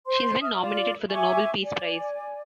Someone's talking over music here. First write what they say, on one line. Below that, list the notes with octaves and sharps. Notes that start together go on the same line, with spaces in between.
She has been nominated for the Nobel Peace Prize.
C5 C6
E5 D#6 F6
F4 D5
E5 G#5 C#6 D6
D5 G#5